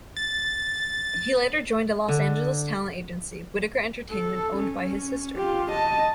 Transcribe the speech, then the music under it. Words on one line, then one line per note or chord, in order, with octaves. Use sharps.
He later joined a Los Angeles talent agency, Whitaker Entertainment, owned by his sister.
A6
D3
A4
C#4
F4 G4
D#5 A5